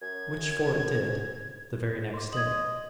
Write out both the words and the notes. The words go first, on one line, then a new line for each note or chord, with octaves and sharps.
Which Fort did, the very next day.
F#2 G#6
C6 D6
D#5 G#6 F#7